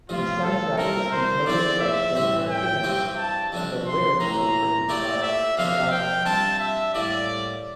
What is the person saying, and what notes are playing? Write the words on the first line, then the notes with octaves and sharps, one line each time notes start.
The soundtrack was composed by Shankar–Ganesh and the lyrics were written by Kannadasan.
A1 G2 F3 F4
A4
C2 C3 G3 A#4
C5
E2 C3 F3 C4 D5
E5
A2 G3 C4
G5
G2 E3 G3 C4
A5
F2 C3 G3 D4
C6
A1 A2 E3 A#5
A#2 A3 E4 G4 D5
E5
F2 C3 F3 A#3 D4 F5
G5
C3 G3 D4 F4 A5
E5
A2 G3 A#3 D5